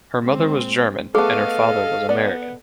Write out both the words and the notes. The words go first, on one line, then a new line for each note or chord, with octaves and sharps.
Her mother was German, and her father was American.
G#3 C4
A3 B3 G#4 A4 D#5 F5
B3 D5